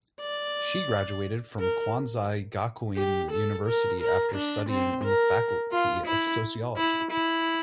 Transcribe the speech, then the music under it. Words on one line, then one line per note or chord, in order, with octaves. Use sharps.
She graduated from Kwansei Gakuin University after studying in the Faculty of Sociology.
D5
A#4
G4
A4
A#4
A#4
D4
C4
A#4
F4
E4
E4
E4